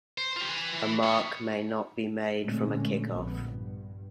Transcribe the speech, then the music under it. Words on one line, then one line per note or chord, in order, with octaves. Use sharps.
A mark may not be made from a kick-off.
C5
F4 G4
B4 G#5
E3
E4 C#5
A#2 D3 G#3 A3 C4 C#4
A#1 F2 A#2 B3
G2